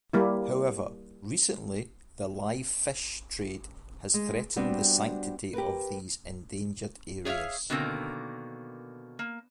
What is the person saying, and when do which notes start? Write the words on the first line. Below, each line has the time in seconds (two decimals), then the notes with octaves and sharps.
However, recently the live fish trade has threatened the sanctity of these endangered areas.
0.13 G3 A#3 E4
4.14 G#3
4.56 G3 B3 C4 D4 F#4
5.54 G4 A#4 B4
7.25 G#4 C#5 D5 E5 F5
7.70 B2 D3 D#3 A#3 C4
9.19 A#3